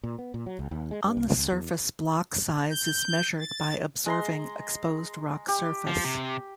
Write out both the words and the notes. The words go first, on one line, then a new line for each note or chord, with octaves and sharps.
On the surface block size is measured by observing exposed rock surface.
A#2
B3
A#2
F#3
C#2
D#2
G#3
G2
C2
C#2
E2
G6
A6
G#3 A#5 C6
G4
F3
C3